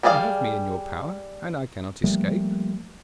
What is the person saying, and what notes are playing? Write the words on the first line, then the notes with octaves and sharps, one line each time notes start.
'You have me in your power, and I cannot escape.
G3 D4 G#4 D5 F5
F3 G3 A3 A#3